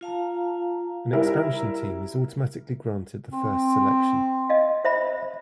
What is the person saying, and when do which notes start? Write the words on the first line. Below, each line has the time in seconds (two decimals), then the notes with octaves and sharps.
An expansion team is automatically granted the first selection.
0.01 F4 F5 A5 A#5
1.13 G3 E4 A#4
3.33 C4
4.49 D#5 F5
4.84 C5 E5 B5